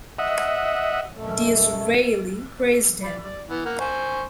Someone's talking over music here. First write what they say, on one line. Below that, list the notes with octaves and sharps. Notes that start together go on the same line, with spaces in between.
Disraeli praised him.
D#5 E5 F#5
F#2 B2 A3 A4
D5 B5
D5
E3 B3
A#3 F#5
C5 G#5 C#6